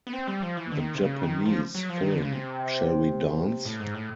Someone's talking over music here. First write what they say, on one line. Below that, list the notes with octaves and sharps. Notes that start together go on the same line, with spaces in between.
The Japanese film Shall We Dance?
B3
C4
G3
F3
E3
D3
D#3
C3
C#3
D#3
F3
F#3
F3
D#3
D3
C#3
C3
A2
G#2
A2